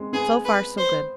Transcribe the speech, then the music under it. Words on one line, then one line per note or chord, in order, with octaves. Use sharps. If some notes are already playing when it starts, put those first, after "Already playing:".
So far, so good.
Already playing: G#3 C4
B3 G#4
B4
C5